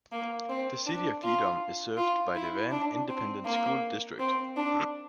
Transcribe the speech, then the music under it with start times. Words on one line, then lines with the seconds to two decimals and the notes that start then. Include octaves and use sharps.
The City of Edom is served by the Van Independent School District.
0.12 A#3
0.49 C4
0.86 D4
1.23 F4
1.97 F4
2.35 E4
2.71 D4
3.09 C4
3.45 A#3
4.19 C4
4.57 D4